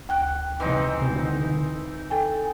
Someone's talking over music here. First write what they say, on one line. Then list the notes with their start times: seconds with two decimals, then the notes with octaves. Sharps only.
But where are yer?
0.09 D2 G5 F#6
0.60 E3 C4 D#4
2.10 A4 G5 G#5